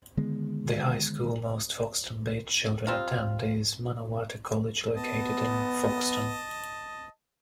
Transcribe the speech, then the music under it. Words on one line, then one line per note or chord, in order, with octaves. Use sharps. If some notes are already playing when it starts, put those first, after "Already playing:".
The High School most Foxton Beach children attend is Manawatu College located in Foxton.
D3 D#3 G#3 B3
G3 C4 D#4 F4
B3 D#5 A5